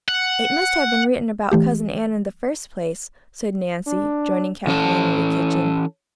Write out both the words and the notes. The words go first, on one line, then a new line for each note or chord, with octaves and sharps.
"It must have been written about Cousin Ann in the first place," said Nancy, joining Kathleen in the kitchen.
F#5
E3 A3 G4
D4
E3 C#4 A4